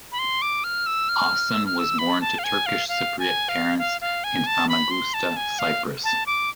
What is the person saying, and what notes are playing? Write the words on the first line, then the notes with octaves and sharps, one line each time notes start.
Ozsan was born to Turkish Cypriot parents in Famagusta, Cyprus.
B5
C6
D6
F6
E6
F6
E6
F6
E6
B5
A5
F5
G#5
F5
F5
G#5
F5
F5
F5
G#5
A5
B5
C6
A5
G#5
F5
A5
D6